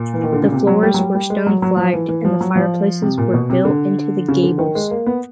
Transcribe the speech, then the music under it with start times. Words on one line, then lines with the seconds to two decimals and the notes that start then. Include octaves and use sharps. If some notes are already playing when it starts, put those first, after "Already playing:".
The floors were stone flagged and the fireplaces were built into the gables.
Already playing: A#2
0.14 E3
0.24 D#3
0.33 D3
0.43 C#3
0.53 C3
0.67 F#3
0.83 G3
0.94 F#3
0.99 G3
1.15 G3
1.30 G#3
1.47 F#3
1.62 F#3
1.77 F3
1.93 E3
2.09 E3
2.25 F3
2.41 F#3
2.56 F3
3.02 C3
3.18 A#2
3.34 B2
3.50 C3
3.65 D3
4.29 C#3
4.43 D3
4.59 D#3
4.75 G#3
4.91 A#3
5.06 B3